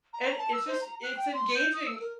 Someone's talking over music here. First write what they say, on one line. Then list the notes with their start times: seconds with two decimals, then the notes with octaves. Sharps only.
And it's just it's engaging,
0.13 A#5
0.38 A5
0.53 E6
0.68 C5
0.81 A#5
1.03 F#6
1.17 G5
1.34 C6
1.55 G6
1.73 D#6
1.86 E6
2.01 A#4